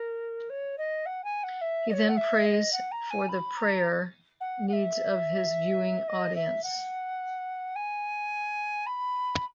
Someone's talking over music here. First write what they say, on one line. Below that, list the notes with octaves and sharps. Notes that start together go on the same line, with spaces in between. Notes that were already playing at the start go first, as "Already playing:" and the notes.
He then prays for the prayer needs of his viewing audience.
Already playing: A#4
C#5
D#5
F#5
G#5
F#5
E5
D#5
C#5
F#5
E5
D#5
F#5
A#5
G#5
B5
A#5
F#5
F#5
E5
D#5
E5
F#5
G#5
B5